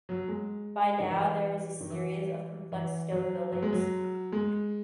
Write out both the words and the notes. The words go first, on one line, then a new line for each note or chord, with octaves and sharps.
By now there was a series of complex stone buildings.
F#3
G#3
D#3
E3
D#3
E3
E3
F#3
F#3
G#3
F#3
G#3